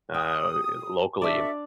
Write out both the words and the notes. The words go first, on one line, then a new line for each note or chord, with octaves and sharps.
uh, eh, locally.
G5 D#6
D4 F#4 A4 D5 E5